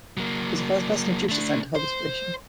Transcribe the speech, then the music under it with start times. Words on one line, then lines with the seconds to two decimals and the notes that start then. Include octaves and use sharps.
He was the first person of Jewish descent to hold this position.
0.17 F#3 A#3
1.29 A3 D4
1.75 C5